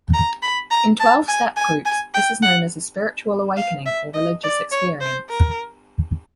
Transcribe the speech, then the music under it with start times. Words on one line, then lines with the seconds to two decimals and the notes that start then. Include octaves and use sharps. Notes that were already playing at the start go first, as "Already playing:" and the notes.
In twelve-step groups, this is known as a spiritual awakening or religious experience.
0.14 A#5
0.42 B5
0.71 A#5
1.00 A5
1.28 G#5
1.56 G#5
1.85 G#5
2.14 G5
2.43 F#5
3.57 F5
3.86 E5
4.14 D#5
4.44 D5
4.71 C#5
5.01 C5
5.29 A#4